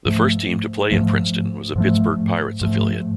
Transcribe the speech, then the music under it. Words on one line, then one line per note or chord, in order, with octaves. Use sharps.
The first team to play in Princeton was a Pittsburgh Pirates affiliate.
G#2 F3 A3
G#2 F3 A3
G#2 F3 A3
G#2 F3 A3